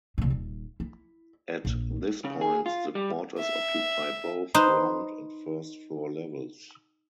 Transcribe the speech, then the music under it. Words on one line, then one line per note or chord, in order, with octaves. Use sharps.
At this point the quarters occupy both ground and first floor levels.
C2 A2
D#1
E4
A#1
C#3
G#4
F4
G3
E5
D#4 B4 C5